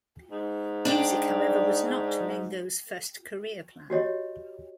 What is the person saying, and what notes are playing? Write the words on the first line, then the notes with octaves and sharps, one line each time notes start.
Music, however, was not Mengo's first career plan.
G#2
D4 D5 G5
F#4 G4 C#5 D#5